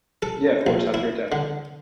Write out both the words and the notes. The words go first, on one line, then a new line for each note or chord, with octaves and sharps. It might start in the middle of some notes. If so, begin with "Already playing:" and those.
Yeah, of course, have a great day.
A4
A#1
E4
D3